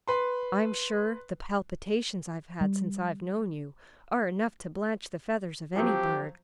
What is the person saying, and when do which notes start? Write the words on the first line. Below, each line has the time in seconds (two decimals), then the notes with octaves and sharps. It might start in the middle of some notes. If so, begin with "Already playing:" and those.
I'm sure the palpitations I've had since I've known you are enough to blanch the feathers of any bird.'
0.08 B4 C6
2.61 G3
5.76 F3 F#3 C4 G4